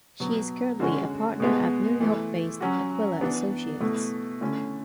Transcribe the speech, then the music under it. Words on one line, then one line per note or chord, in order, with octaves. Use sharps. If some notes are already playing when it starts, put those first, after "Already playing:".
She is currently a partner at New York-based Aquila Associates.
B2 F#3 B3
D3 G#3 C#4 F#4
B2 G#3 B3
E3 A3 E4
F#3 C#4 F#4
E3 B3 D4
B2 A3 E4
D3 A3 C#4 E4